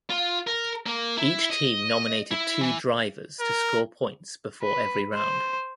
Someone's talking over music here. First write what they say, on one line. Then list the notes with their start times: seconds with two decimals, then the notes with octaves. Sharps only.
Each team nominated two drivers to score points before every round.
0.10 F4
0.47 A#4
0.86 A#3
1.17 E4
1.50 D#5
2.31 E4
2.61 E3
3.40 A#4
4.63 B4
5.14 C5